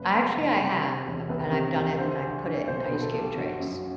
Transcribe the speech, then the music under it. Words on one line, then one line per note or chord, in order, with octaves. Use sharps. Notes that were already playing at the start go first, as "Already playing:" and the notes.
Actually, I have, and I've done it, and I've put it in ice cube trays.
Already playing: F#1 B4
F#1
F#1
C3
C3
E1
C2 B4
C3
C2
D3 C5
D2
D2
B1 C5
B4
B2
A4
B1
G4
G1 F#4
F#2
F#4